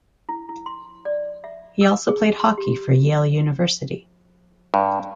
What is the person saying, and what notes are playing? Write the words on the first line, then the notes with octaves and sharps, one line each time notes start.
He also played hockey for Yale University.
E4
E4
C6
D5
E5
E6
G#4
C6
G4
G2